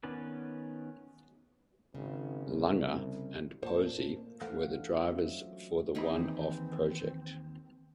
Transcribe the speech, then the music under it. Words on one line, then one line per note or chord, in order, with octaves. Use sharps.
Lunger and Posey were the drivers for the one off project.
D#3 B3 C#4 B4 D5
G#1 C#3
C2
A#2 C5 A5
A3 A#3
E3 A3 A4 C5 F5 F#5
D4 F4
C#4 F4 F#4 C5 D#5 E5
F#3
D#2 E3 C4 D#4 G4 G#4 E5 B5